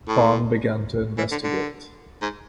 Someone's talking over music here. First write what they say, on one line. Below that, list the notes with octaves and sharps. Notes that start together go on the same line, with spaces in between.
Paan began to investigate.
A2
E3
D3
D3
G#2